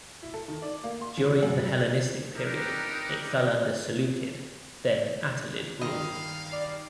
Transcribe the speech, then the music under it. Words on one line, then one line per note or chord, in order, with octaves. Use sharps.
During the Hellenistic period it fell under Seleucid, then Attalid rule.
E4
A4
D#3
D5
A#3
C6
E3
C3
F#2
G3
C4 D4 D#4 G4 A#4 B4
G2 D#3 D#5 F5
D5